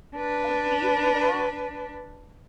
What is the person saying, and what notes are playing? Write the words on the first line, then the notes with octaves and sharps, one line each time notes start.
Oh, do you do that?
D4 B4